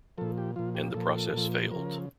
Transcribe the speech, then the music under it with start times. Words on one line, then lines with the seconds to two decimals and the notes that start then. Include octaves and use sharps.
And the process failed.
0.18 A#2 F3 A4
0.38 G4
0.56 A#2 F3 F4
0.75 G4
0.94 A#2 F3 A4
1.33 A#2 F3
1.71 C#3 F3 A#4